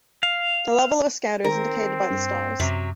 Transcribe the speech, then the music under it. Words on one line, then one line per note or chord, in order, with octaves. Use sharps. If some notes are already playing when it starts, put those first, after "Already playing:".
The level of a Scouter is indicated by the stars.
F5
D#3 C4 A#4
G2
F#2 C3 F#3